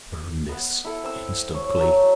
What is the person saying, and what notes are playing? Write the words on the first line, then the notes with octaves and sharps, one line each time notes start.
Burn this instantly.'
B3 F#5
E4 A4
C4 E6
C#5
F#3 A3 E5 A5